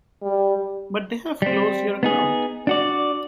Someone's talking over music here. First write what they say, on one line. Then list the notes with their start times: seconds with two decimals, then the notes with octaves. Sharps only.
But they've closed your account.
0.22 G3
1.42 G3 C4
2.03 B3 D#4 G#4
2.67 D4 F#4 D5